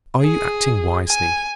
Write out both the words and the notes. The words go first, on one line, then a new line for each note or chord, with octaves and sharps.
'Are you acting wisely?
G#4
G#5